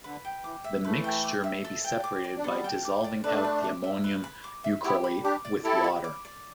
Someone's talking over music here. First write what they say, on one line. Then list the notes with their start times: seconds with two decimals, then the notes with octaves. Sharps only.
The mixture may be separated by dissolving out the ammonium euchroate with water.
0.04 D3 B4
0.25 G5
0.44 E3 D6
0.64 E5
0.84 E3 A3 B4
1.04 G5
1.24 D6
1.44 E5
1.64 A4
1.84 G5
2.04 D6
2.24 D5
2.37 D4
2.44 G3 B3 A4
2.64 G5
2.85 D6
3.04 D5
3.24 A3 D4 B4
3.44 B5
3.64 D6
3.84 E5
4.04 B4
4.24 B5
4.44 D6
4.64 E5
4.84 B3 E4 G4
5.04 B5
5.24 D4 G4 D6
5.45 D5
5.64 E4 G4 A4
5.84 B5
6.04 D6
6.25 D5